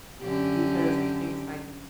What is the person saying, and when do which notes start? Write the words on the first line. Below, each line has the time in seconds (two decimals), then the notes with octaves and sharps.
because it seems like
0.22 F#2 D3 G4